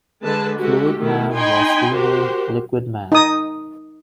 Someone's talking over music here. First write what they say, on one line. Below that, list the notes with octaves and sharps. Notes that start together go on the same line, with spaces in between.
Fluid Man was renamed Liquid Man.
D3 G#3 B4 A5
G#3 F#4 G4 A4
D#3 A3 E4
D#4 G5 G#5 B5 C6
F#4 G4 A#4 C5
D#4 D#6